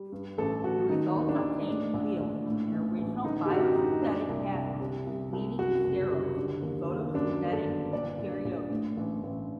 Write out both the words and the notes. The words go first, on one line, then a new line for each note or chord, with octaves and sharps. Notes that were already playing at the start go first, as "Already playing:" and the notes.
The results obtained revealed an original biosynthetic pathway leading to sterols in photosynthetic eukaryotes.
Already playing: G3
G2
A1 A4
A1 F#4
D#3 D#4
D#2
D4
D#2
A2 D4
A#1
A#1
A2
A1
A1
D3 D#4
G4
F#2 F#4
F#2 D#4
A#2 D4
C2
C2
C3
C2
C2
F#2 F#4
F#1
G3
D3
D#2
D#2
F#2 D4
G1
A4
G1
A#2 D5
A#1
A#1
A2
A1
A1